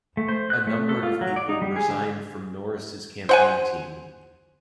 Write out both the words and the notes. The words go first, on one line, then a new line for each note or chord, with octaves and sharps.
A number of people resigned from Norris's campaign team.
A3
C5
F#6
A3
A4
F4
F#3
D5
D#4
G3
G#4
D3
C5 F#5 G#5